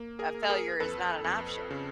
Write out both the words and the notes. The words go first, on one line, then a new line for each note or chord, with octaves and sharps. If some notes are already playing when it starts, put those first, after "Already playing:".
uh, failure is not an option.
Already playing: A#3
G#4 A#4
A#3
A4
G#4 A#4
F2 A4 B4
F2
C#3